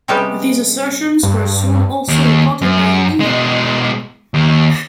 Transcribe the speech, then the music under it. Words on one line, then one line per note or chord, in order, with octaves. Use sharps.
These assertions were soon also reported by E!
C3 G3 G#3 B3 C#4 G4
G2
D#2
F#2
B2 G#3
D#2